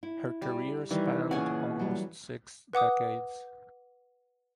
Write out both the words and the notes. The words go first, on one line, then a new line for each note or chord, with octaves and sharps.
Her career spanned almost six decades.
E4
G3
D#3 E3 G3
A#2 C#3 C#4 G#4 F#5
F#3 G3
B4 F#5 D6 D#6